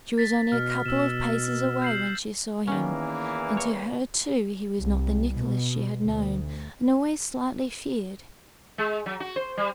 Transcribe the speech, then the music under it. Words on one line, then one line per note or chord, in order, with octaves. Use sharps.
She was only a couple of paces away when she saw him, and to her too he was not the Nicholas she had known and always slightly feared.
A6 B6
B2 F6
B2 E6 E7
G6 C7 F#7
E2 D#3 E3 A#3 C#4
C#5
C2
B2
D2
G#3
F#3
F#4
C5
G3